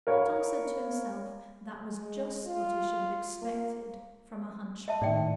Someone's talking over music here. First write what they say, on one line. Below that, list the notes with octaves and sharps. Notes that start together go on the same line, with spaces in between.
But Tom said to himself, that was just what he should have expected from a hunchback.
A#4 C#5 F5 B5
G#3
F4
A#3
D#5 E5 A5
A2 D#3 D5 G5